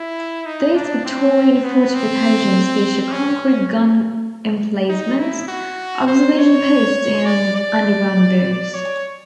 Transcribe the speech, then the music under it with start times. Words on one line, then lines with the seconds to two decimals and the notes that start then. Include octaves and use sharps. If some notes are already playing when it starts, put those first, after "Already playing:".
These Victorian fortifications feature concrete gun emplacements, observation posts and underground rooms.
Already playing: E4
0.46 D#4
0.75 D4
1.05 C4
1.64 B3
1.94 C4
3.12 C#4
4.89 D#4
5.19 E4
5.48 F#4
6.08 C5
6.38 C#5
7.25 D5
7.56 D5
8.74 C#5